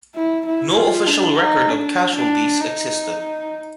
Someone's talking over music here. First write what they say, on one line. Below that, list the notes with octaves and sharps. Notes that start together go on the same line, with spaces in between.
No official record of casualties existed.
E4
E4
F4
D4
D#4
D4
D4
D#4